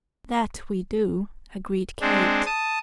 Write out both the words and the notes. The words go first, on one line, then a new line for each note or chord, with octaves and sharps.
"That we do!" agreed Kate.
G#3 C4 D4
A5 D#6